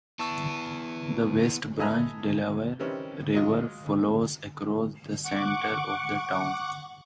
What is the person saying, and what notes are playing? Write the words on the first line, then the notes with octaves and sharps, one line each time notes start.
The West Branch Delaware River flows across the center of the town.
B3 E4 A5 C#6 E6
A4 B4 D#5 E5 G#5 A#5
C3 D#3 E3 G3 C4 C#4
F#3 G#3 F4 D#5
F#5 C#6 D6